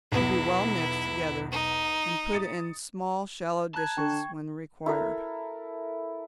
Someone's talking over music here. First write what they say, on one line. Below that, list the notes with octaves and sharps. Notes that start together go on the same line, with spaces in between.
To be well mixed together, and put in small, shallow dishes when required.
B1 E2 B3 E4
D#4
D#6 A6 C#7
A5 A#5 F#6 G#6
D3 G5 C#6 G#6
E4 A4 A#4